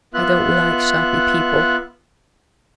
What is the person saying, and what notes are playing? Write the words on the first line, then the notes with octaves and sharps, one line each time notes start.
I don't like shoppy people.
B3 F4 E5 F#6